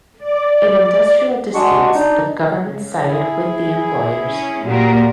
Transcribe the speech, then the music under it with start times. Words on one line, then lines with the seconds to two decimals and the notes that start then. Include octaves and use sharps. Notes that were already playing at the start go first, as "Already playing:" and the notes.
In industrial disputes, the government sided with the employers.
0.19 D5
1.54 G#3 D4 F#4 C#6
1.94 D4 D#4
2.63 C#3
3.06 E4 G#4
4.29 C#4
4.65 A#2 F#4 G4 A#4